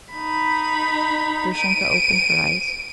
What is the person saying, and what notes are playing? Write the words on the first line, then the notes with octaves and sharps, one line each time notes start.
Grushenka opened her eyes.
D#4 B5
D7 D#7